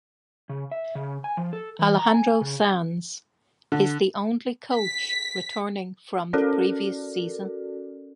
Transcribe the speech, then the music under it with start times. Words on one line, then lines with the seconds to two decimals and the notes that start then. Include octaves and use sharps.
Alejandro Sanz is the only coach returning from the previous season.
0.49 C#3
0.71 E5
0.95 C#3
1.24 G#5
1.37 F3
1.53 A4
1.79 E3
1.99 A#5
2.14 G#5
2.41 C#3
3.72 D3
4.74 B6
6.33 C#4 F#4 A4 A#4 D5